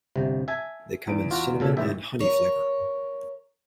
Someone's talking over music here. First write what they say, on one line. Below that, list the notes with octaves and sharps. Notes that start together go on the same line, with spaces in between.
They come in cinnamon and honey flavor.
G1 C3
E5 G#5 A5
E2 D7
F4 F#4
A#2 C#3 A4
G#1 A2 E5
A#4 C#5